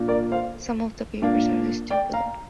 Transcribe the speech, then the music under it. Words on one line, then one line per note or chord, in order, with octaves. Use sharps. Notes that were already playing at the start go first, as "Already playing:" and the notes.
Some of the papers are listed below.
Already playing: A#2 A#3 D4
A#4 D5
C5 F5
A#2 A#3 D4
D5 G5
F5 A#5